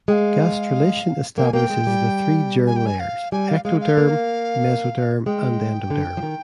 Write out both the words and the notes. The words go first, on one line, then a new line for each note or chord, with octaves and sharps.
Gastrulation establishes the three germ layers: ectoderm, mesoderm and endoderm.
G#3 F5 G5
A#3 G5
G#5
A#3 G5
G#3
G3
G#5
G5
G#5
F5
G3 G#5
F5
G#3 F5
F5
A#3
G#3 G5
D3
F3
D#3